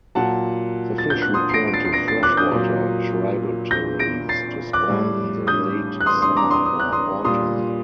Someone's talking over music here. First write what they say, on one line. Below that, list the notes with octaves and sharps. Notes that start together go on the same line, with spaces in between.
The fish return to freshwater tributaries to spawn in the late summer or autumn.
A#2 F#3 F#5 A5
A6
G6
F#6
C6 D#6
C7
A#6 D7
D7
A6 C7
C7
A#6 D7
A6 C7
D6 F#6
D#6 G6
A#2 F#3
G6 A#6
A#6 D7
A6 C7
D6 F#6
A2 G3
D#6 G6
F#6
C6 D#6
C6 D#6
A#5 D6
C6 D#6
D#6
F#6
C6 D#6
A#2 G3 C6 D#6